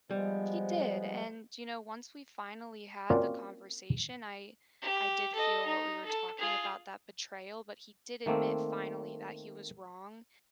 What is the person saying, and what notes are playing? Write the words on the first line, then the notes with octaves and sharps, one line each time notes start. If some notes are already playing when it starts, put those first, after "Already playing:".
He did, and, you know, once we finally had the conversation, I I did feel what we were talking about, that betrayal, but he did admit finally that he was wrong,
F3 G3 G#3 B3
A#3 C4 C#4 F4 F#4 D5
G4
A4 D#5
D#4
A4
F4 G#4
D#3 A3 A#3 C4